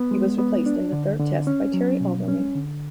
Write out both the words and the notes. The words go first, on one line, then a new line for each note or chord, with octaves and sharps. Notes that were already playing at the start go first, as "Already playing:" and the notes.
He was replaced in the third test by Terry Alderman.
Already playing: B3
G#3
B3
D4
D3
D3
C#4
F#3
B2
C#4
D3